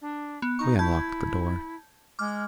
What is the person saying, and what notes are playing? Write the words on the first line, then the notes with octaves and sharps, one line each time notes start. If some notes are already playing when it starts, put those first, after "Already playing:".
We unlocked the door.
D4
B3
D#4 C#6
E4 A5 G6 G#6
G#3 D6 F6